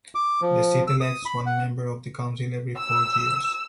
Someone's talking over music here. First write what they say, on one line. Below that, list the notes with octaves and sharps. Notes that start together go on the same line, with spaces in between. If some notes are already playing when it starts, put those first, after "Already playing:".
The seat elects one member of the council every four years.
D6
F3
E6
D#6
B5
F#5
E6